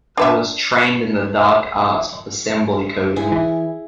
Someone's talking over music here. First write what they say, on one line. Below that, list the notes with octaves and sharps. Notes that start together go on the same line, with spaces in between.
I was trained in the dark arts of assembly coding.
D4 B4 E5
E4 G#4 G#5
E3